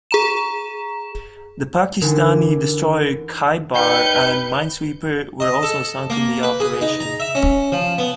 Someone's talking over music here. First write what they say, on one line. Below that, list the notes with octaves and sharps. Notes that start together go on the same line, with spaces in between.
The Pakistani destroyer "Khaibar" and minesweeper were also sunk in the operation.
G#4 A#5 E7
D3 E3 D4 D#4 A#4
D#4 B4 G5 F6 G6 C#7
D#5
A4
A#3
B4
G#4
D#4
A#5
E5
C#4
F3
B3